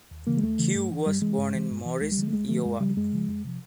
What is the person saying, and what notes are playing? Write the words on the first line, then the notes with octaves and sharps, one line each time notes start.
Keough was born in Maurice, Iowa.
D#2
C#3 E3 A#3
G#3
D#2 A3
C#3 E3
G2
E3
G2 G3
E3 G#3
G2
E3
G2
E3
D2 G#3
G3
D3 F3 G#3
A3
D2 G#3
D3 F3 A3
F#2 G#3
C#3 F3 G3
F#2 G#3
C#3 F3
F2
C3 F3